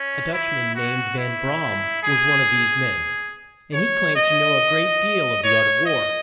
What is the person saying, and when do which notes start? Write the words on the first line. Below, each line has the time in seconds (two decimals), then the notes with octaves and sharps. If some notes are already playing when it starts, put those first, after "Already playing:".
A Dutch-man, named Van-Bra-am, was one of these men, and he claimed to know a great deal of the art of war.
Already playing: C#4
0.33 E4
0.75 F#4
1.18 E4
2.03 G#4
3.73 C#5
4.16 D#5
5.43 C#5
5.86 D#5